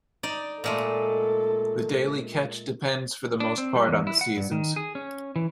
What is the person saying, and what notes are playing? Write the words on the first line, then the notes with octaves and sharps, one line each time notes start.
The daily catch depends for the most part on the seasons.
D#4 D5
A#2 G#3 A3 A4
D4
C4
G3
E2
E4
F#5
G2
D#3
G#4
C#4
E3